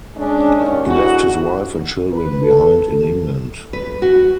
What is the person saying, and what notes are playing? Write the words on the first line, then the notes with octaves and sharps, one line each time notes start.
He left his wife and children behind in England.
G#3 C#4 D4
D#2 D#3 C#4
G#2 D3 E4 F#4
B4
A4
B4
F#4